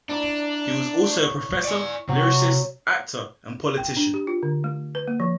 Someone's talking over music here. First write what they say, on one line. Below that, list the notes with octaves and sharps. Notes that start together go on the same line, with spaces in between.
He was also a professor, lyricist, actor, and politician.
D4 E4 D5 A#5
C#5
D5 G#5
C3 F#3
G5
D4
G4
F4
D3
A3
B4
A#3
F3